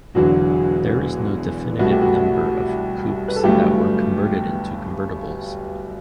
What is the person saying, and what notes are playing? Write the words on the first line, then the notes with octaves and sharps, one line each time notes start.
There is no definitive number of coupes that were converted into convertibles.
E1 E2 D3 F#3 F#4
C2 B2 A3 F#4
G4
F#4
B4
A4
G1 G2 F#3 A3 G4